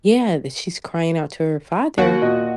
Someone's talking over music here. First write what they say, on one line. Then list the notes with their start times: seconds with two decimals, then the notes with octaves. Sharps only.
yeah, that she's crying out to her father
1.98 D#2 F#4
2.22 A#2 D#5